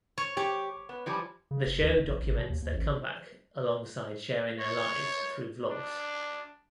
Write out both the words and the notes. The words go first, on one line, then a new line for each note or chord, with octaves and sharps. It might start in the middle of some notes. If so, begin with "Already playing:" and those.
The show documents their comeback alongside sharing their lives through vlogs.
C#5
G4 C#5
B3
E3 F3 G3
C#3
F1
D2
D#1
A#1
G#1
B2
D#2
D#2
A1
C#5
D4